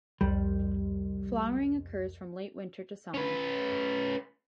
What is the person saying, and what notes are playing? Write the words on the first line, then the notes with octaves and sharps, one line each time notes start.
Flowering occurs from late winter to summer.
C2 F2 G3
C#4 B4